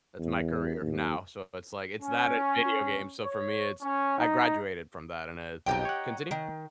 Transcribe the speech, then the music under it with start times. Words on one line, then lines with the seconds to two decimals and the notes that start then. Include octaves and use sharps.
That's my career now, so it's, like, it's that and video games, so for me it's I graduated from that, and it continue.
0.19 E2
0.81 D#2
2.01 C#4
3.22 C#5
3.81 C#4
4.17 D#4
5.66 B1 F2 D#4 G4 G5
5.85 C#5 F#5
6.31 D#3